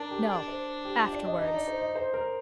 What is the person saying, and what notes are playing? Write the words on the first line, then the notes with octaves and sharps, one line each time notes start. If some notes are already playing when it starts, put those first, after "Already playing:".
"No, afterwards."
Already playing: D4 A#4
G4
D4 A4
C5
G4
F4
D5
D#5
D#4 D#5
D5
C5
D#5
C5
A#4